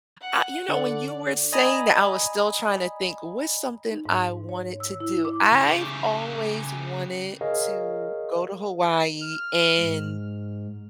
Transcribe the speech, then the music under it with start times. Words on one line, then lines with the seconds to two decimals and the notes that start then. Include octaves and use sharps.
uh, you know, when you were saying that, I was still trying to think, "What's something I wanted to do?" I've always wanted to go to Hawaii and
0.21 F#5
0.69 D3 D5
1.52 D5 D#5 G#5 A#5 B5 D#6
3.91 D#4
4.05 G#2
4.49 C#5
4.80 E6
5.00 E4
5.25 D6
5.52 C#3 G4
7.41 G#4 A#4 C#5 D#5 F5
9.21 F6
9.79 G#2